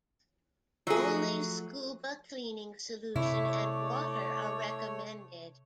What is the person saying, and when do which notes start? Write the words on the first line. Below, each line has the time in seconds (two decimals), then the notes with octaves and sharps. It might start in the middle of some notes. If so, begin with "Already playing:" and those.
Only Scooba cleaning solution and water are recommended.
0.87 F3 F#3 A3 G#4
3.16 C3 A3 E4 C#5 D5